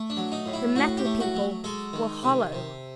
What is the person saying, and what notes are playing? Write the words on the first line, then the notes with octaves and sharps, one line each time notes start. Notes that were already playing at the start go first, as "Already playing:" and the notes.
The Metal People were hollow!
Already playing: A3
D4
F#3
D#4
A2
E4
A2 F#4
G4
A3
F#4
F#3
G#3 A4
D#3
C3
C3